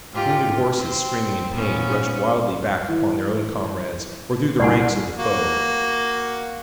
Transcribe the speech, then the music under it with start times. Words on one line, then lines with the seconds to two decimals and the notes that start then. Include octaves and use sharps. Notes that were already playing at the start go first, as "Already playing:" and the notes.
Wounded horses screaming in pain rushed wildly back upon their own comrades or through the ranks of the foe.
0.14 G#2 F4 G4
0.78 C4
1.55 A#2 B3 C#4
2.89 E3
4.60 C2 D5 F#5 G#5
5.18 A#3 F#4